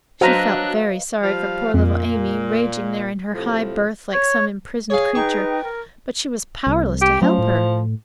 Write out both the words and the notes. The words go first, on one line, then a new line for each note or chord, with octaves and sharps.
She felt very sorry for poor little Amy, raging there in her high berth like some imprisoned creature, but she was powerless to help her.
F#3 D4 B4 C5 D#5 F5 A#5 F#6
F3 G3 F5
F2 A#2
A2 C3 F3
C#5
G#4 C#5 F5
D#4 B4 G5 C#6
A#4
C2
G4
F3 F#3 A3 C#4
A2